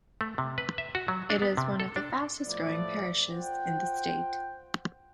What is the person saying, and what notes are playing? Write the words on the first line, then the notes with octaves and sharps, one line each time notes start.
It is one of the fastest growing parishes in the state.
A3
C3
B4
E5
F#4
F#3
D4
B3
C3
A4
D4
A2 F3 A3 B3 D5
F4 C5 F#5 G5